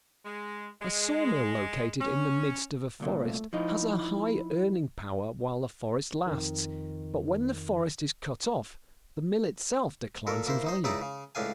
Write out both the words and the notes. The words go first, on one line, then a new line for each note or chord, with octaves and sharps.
A sawmill located in the midst of a forest has a high-earning power while the forest lasts, but when the forest is cut off the mill itself declines in value.
G#3
G#3
C#4
C2 A#2 D3
A3
F3 D#4 E4
F2 D#3
A#2 A4 A#4
A#3 E4 C5
D#4 C5
C#2 C#3 D#4 E4 D5 A#5
C#3
C#2 A2 D4 F5 G#5